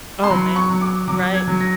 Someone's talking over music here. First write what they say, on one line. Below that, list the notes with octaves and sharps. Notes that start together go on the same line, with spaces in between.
Oh, man. Right.
C6
F#3 B5
C#6
F#3
D6
F#3 D6
G#6
F#3
A#6